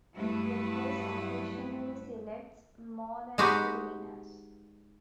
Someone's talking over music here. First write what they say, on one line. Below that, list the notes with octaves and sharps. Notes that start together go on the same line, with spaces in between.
The Press occasionally selects more than two winners.
G2 F#3 A3 B3 E4 B4
G#3 D#4 F#4 G4 B4